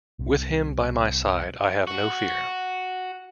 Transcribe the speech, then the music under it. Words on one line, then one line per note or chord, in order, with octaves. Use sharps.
With him by my side I have no fear.
C2 C3
F#4